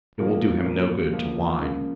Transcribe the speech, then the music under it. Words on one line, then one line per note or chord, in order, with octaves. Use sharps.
It will do him no good to whine.'
A#2 F3 A#3 F4 A#4
A#2 F3 A#3 F4 A#4
C#2 C#3 F3 A#3
C#2 C#3 F3 A#3